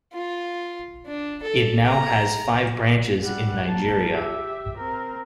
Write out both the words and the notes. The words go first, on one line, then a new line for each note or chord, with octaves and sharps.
It now has five branches in Nigeria.
F4
D4
A4
A#5
G3 F#5
A#3 A5
G4 E5
C4 A#4